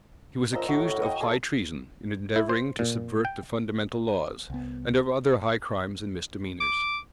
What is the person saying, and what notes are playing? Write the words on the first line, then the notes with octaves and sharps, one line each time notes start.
He was accused of high treason, in endeavoring to subvert the fundamental laws, and of other high crimes and misdemeanors.
C#2 A#2 F3 D#5 A#5 E6
A2 F#4
D#5 G5
A2 A#3 G#4 A4
E4
C5
A#2
G5
C2 B3
D6